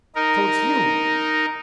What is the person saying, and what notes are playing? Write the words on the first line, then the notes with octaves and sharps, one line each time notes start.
"So it's you!"
D#4 A#4